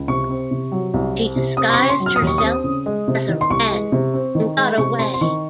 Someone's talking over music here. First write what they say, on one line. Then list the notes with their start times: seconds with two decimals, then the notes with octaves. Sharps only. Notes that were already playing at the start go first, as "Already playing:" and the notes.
She disguised herself as a Wren and got away.
Already playing: C#2
0.08 C3 C#6
0.29 C4
0.51 C3
0.72 F#3
0.94 C2
1.15 C4
1.36 C3
1.57 C4 D#6
1.70 C6
1.74 C#3 C#6
1.89 C6
2.00 F#3
2.06 F6
2.16 D#6
2.22 D#2
2.27 C#6
2.38 C4 D#6
2.64 C#3
2.86 G#3
3.08 C3
3.29 D#3
3.41 C6
3.50 C2 C#6
3.72 G#3
3.92 C3
4.14 C4
4.35 D#3
4.57 G#3
4.78 C3 C#6
4.99 C4 C6
5.14 C6
5.21 D#3 C#6